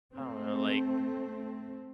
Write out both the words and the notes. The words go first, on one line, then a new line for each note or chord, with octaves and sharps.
I don't know, like,
A3 C4